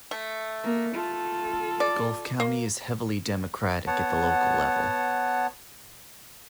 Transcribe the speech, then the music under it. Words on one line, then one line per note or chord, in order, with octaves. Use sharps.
Gulf County is heavily Democratic at the local level.
A3
A#3
F4 A4
D5
A#3
B3 C#5 F#5 A5